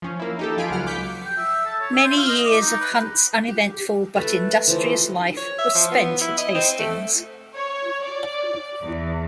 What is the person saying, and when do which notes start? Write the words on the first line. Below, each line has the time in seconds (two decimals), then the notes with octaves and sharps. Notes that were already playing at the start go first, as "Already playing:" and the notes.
Many years of Hunt's uneventful but industrious life were spent at Hastings.
0.02 F3 C#4
0.19 A#3 E4
0.39 D#4 G4 A4
0.57 F3 F4 G#5 B5 D7
0.70 C#2 F#3 F#5 F6
0.87 D6 G6 B6 C#7
1.26 G5
1.37 E5
1.66 A4
1.81 C#5
1.93 E5
2.04 C5
2.17 F5
2.29 D#5
2.46 D6
2.62 D#4
2.81 B4
3.48 G4
4.16 A3 A4 B4
4.68 E3 F3
4.83 D#5
5.37 C#5
5.59 E5
5.75 F3
5.91 B3
6.21 E4
6.38 D#5
6.55 C4
6.78 A3
7.55 C#5
8.04 D5
8.82 E2